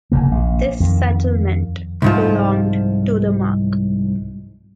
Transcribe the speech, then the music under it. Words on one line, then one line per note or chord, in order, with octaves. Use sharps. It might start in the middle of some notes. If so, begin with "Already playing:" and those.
This settlement belonged to the Mark.
F1 C#3 A#3
A#1
F2 D#3
C2 G#2 F3